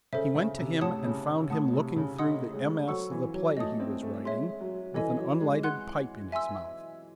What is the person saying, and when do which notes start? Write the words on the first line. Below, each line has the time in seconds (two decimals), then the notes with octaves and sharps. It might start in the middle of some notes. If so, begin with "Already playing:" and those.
He went to him and found him looking through the MS. of the play he was writing, with an unlighted pipe in his mouth.
0.12 C#3 A4 C5 E5
0.35 C#3
0.58 C3
0.81 A2 C#5 F#5 A5 D#6
1.04 C#3
1.50 A2 F#5 A5 D#6
1.73 C3
1.96 C#3
2.19 A4 D#5 F#5 C6 D#6
2.53 G#3
2.88 F#3 A4 C5 F#5 C#6 E6
3.11 E3
3.34 F#3
3.57 A3 D#5 A5 D#6
3.80 C4
4.03 A3
4.25 G#3 C#5 E5 C6
4.61 F#3
4.94 E3 A4 D#5 G#5
5.18 F#3
5.40 G#3
5.63 F#5 C6 F#6
6.32 E5 G#5 C6 E6